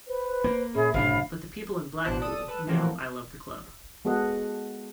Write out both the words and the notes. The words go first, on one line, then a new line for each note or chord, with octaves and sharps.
But the people in Blackpool know I love the club.
B4 C5
A#3
A#2 C#4 G#4 C#5 E5 B5
F#1 A2 C3 G#3 D4 F5
A1 B2 D4 E4 C5 F#6
A4 D5 D#6
A4 B4
E3 F3 A3 A#3 C4 F#4
G#3 B3 F#4 A4 D#5 F#5